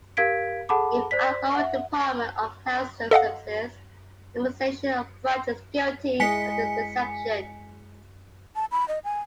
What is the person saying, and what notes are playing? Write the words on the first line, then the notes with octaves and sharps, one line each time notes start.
Even our own Department of Health Services, Immunization Branch is guilty of this deception.
G4 A#4 F5 G#6 B6 D7
G#4 A4 F#5 A5 B5 D6
C5 D5 B6
E5 F#5
A4 D#5 F5 F#5
G#3 E4 D#5 G#5 B6 C#7
A5
B5
D#5
G#5